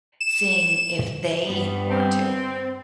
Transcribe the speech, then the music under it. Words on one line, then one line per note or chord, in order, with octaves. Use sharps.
seeing if they want to.
E7
G2 G3 B3
C4